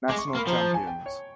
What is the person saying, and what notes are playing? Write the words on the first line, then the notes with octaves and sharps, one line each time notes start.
National Champions.
G#3 D6
C#6
C6
A#3
B5
F3 A#5
A5
G#5
G5
C#5